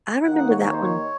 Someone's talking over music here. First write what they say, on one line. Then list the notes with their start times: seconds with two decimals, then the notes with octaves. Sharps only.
I remember that one.
0.24 D#2 D#3 A#3 D#4 F#5
0.37 F#5
0.49 C#5
0.62 C#5
0.73 C5
0.83 C#5